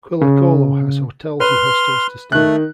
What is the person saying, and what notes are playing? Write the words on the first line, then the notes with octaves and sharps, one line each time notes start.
Quillacollo has hotels and hostels to stay.
C#3
B4 C6 F6
D#3 A3 F#6